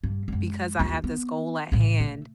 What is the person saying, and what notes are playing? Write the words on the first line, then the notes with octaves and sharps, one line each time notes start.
"Because I have this goal at hand,
G2
F#2 G#3
D#2 F4
B3
A2 C#3
A3